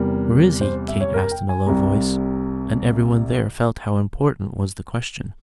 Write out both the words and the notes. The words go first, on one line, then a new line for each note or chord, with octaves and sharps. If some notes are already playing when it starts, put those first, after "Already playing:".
"Where is he?" Kate asked in a low voice, and everyone there felt how important was the question.
Already playing: E2 C3 G3 A#4
C5
E5
C#5
A#4
G5
G#5
C2 C3 G3 A#5